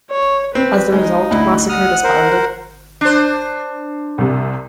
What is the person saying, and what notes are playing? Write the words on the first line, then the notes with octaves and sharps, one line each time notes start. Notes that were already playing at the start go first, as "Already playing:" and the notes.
As the result, Massacre disbanded.
C#5
C4 B4
G#3 D#4
D2 E4
F#5 D#6 F6
A#4 C5
D4 C5
C2 C3